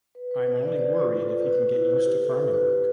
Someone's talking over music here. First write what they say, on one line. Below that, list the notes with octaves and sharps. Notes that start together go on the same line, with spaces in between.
I’m only worried if he can get used to farming work.
B4
B4
C5
D5
C5
F4
A4
B4
C5
E4
G4
A4
B4
B4